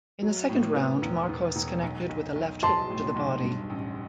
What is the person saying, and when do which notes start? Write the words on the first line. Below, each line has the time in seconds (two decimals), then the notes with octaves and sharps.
In the second round, Marcos connected with a left hook to the body.
0.22 F#3
0.49 A2
0.75 B3
1.02 E1
1.29 E1
1.56 E1
1.83 B1
2.09 B1
2.35 B1
2.62 F#3 A5 C6
2.90 A2
3.16 B1
3.43 G2
3.70 A1